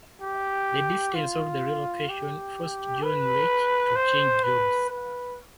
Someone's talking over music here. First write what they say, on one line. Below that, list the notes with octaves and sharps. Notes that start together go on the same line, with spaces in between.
The distance of the relocation forced John Lech to change jobs.
G4
F4
G4
B4
C5
B4
B4